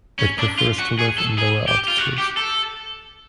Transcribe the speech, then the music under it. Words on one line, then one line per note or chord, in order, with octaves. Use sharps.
It prefers to live in lower altitudes.
C#4
D4
F4
F#4
G#4
A4
G#4
G4
F4
F#4
G4
A4